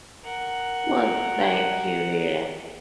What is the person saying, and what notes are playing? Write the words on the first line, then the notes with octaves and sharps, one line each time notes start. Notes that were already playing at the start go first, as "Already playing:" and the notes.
Well, thank you, dear.
A#4 F#5